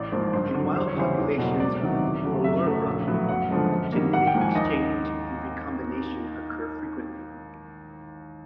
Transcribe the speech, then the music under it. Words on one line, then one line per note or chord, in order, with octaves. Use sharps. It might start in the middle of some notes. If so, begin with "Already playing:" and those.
In wild populations of "Halorubrum", genetic exchange and recombination occur frequently.
Already playing: A1 D5
G#2 F3 A#3 C5
G2 C5
D3 F#3
E2 C5
C#5
C#3 E3 G3 B3 C5
E2
B2 F#3 A#3
C#2 D5
C3 D#3 F#3
E2
C#3 F#3 A3
F#2 E5
C#3 F#3 A3
A#1
A2 F#3 B3
F#2 F#5
D3 F3 G#3 B3
F#2
D#3 G3 A#3
A1 F#5
G5
G#2 F3 A#3
G#5
D#2 D#5